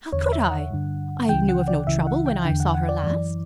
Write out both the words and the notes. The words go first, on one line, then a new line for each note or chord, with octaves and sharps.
"How could I? I knew of no trouble when I saw her last."
E2 D3 C#5
E5
F#5
G2 D3
C#2 C#3 E3 G5
F#5
D5
C#2 C#3 E3 E5
F#5
G5
E2 D3 G5
F#5
F#5
D5
F#2 E3